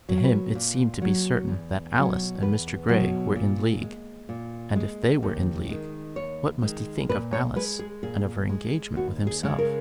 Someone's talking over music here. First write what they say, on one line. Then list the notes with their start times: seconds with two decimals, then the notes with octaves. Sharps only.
To him it seemed to be certain that Alice and Mr. Grey were in league;--and if they were in league, what must he think of Alice, and of her engagement with himself!
0.09 F#3
0.24 B4
0.55 A#2
1.02 F#3
1.49 E2
1.95 B2 F#3
2.42 E2 B4
2.89 B2 F#3
3.35 A#2
3.82 G#3
4.29 A#2
4.76 G#3
5.23 D#2
5.69 D#3 G#3
6.16 D#2 C#5
6.63 D#3 G#3
7.09 A#2 B4
7.33 C#5
7.56 G#3 B4
7.79 G#4
8.03 A#2 G#4
8.49 G#3
8.96 D#2 F#4
9.27 G#4
9.43 C#3 G#3
9.59 A#4